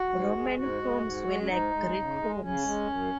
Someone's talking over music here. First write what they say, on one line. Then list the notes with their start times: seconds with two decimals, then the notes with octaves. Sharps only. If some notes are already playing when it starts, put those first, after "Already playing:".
Roman homes were like Greek homes.
Already playing: F#4
0.09 G#2
0.32 G#3
0.55 G#2 F#4
0.78 G#3
1.01 G#2
1.25 G#3
1.41 C#4
1.48 G#2 D#4
1.71 G#3
1.94 C#3
2.17 G#3
2.41 C#3 C#4
2.64 G#3
2.87 F#2